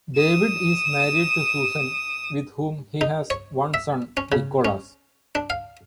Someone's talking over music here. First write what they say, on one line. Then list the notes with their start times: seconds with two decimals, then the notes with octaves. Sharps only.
David is married to Susan, with whom he has one son, Nicholas.
0.15 D#6 E7
3.01 D#4
3.30 C#5
3.74 E5
4.17 C#4
4.32 C#3
4.65 C#4
5.35 D4
5.50 F5